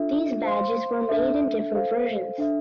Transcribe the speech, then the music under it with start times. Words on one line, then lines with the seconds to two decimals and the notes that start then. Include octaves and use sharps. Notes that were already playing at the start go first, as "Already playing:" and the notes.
These badges were made in different versions.
Already playing: D4 F4 A4 E5
0.43 C5 F5 C6
1.09 D4 A4 E5
1.73 A4 C5 F5
2.38 D4 A4 E5